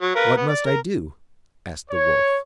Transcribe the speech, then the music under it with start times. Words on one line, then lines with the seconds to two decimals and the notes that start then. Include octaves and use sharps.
"What must I do?" asked the Wolf.
0.02 F#3
0.16 A#4 B4 F5
0.37 B3
0.49 D5
0.66 A#4 A#5
1.91 C#5